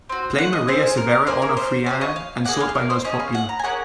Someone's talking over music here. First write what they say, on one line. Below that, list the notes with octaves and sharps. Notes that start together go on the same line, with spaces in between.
Play Maria Severa Onofriana and sort by most popular.
C4 F#4
F#5
D#5
C4 F4 G#4 C5
A#4
A#3 D#4 G#4 C5
A#4
C5
C#4 F#4 C5
D#5
F5
A#3 F4 G#4 F#5
F5
A#4
C5
C#4 F4 G#4 D#5
F5
F#5
A#5
G#5
A#3 C#4 G#4 F#5